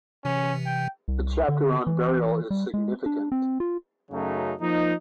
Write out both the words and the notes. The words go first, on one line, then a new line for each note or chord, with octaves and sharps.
The chapter on burial is significant.
C3 E3 C#4
G5
C2
D3
E3
G3
G#3
D4
C4
F4
F#2 C#3 F#3 A3 D#4
F3 A#3 D#4